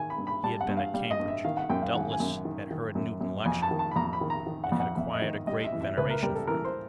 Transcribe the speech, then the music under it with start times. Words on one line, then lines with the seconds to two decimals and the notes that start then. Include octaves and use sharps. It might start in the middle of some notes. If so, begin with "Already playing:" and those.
He had been at Cambridge, doubtless had heard Newton lecture, and had acquired a great veneration for him.
Already playing: D#3 G#5
0.10 B5
0.18 G2
0.27 B5
0.44 G3 A5
0.61 F#5
0.68 G2
0.77 F5
0.94 G3 F5
1.11 D#5
1.20 G2
1.28 E5
1.44 D#3 F5
1.57 F#5
1.70 F#2 G5
1.82 F5
1.94 G#1 F#5
2.11 G#5
2.20 F#2
2.45 D#3
2.71 D#3
2.95 F#2
3.21 F#2
3.46 F2 G#5
3.62 A5
3.71 D#3
3.79 A5
3.91 B5
3.96 F2 A#5
4.13 B5
4.21 D#3
4.30 A#5
4.47 D#3
4.64 F#5
4.72 F2
4.80 F#5
4.97 F2 E5
5.14 D#5
5.22 D#3
5.47 G3 D#5
5.64 E5
5.72 E3
5.81 E5
5.97 C#2 B4
6.10 A#4
6.23 G3 A#4
6.35 A4
6.47 E3 A#4
6.65 C5